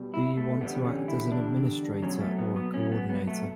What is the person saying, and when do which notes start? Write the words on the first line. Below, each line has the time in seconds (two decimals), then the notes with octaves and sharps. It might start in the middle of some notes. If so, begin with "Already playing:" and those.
Do you want to act as administrator or coordinator?
Already playing: B2 G3
0.14 E4
0.37 A3
0.61 E2 D3 G3 B3
0.85 C#4
1.08 E4
1.32 D4
2.03 B2 F#3 C#4
2.21 A3
2.38 B3
2.56 B3
2.74 C#4
2.92 B3
3.09 B3
3.27 A3